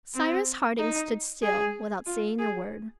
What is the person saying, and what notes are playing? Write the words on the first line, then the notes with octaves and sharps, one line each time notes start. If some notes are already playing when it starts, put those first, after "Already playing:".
Cyrus Harding stood still, without saying a word.
C4
D#4
G#4
F4
G#4